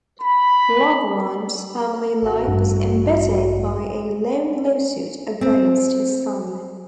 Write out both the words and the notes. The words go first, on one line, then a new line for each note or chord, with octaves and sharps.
Lagrange's family life was embittered by a long lawsuit against his son.
B5
A1 F#4
G2
C4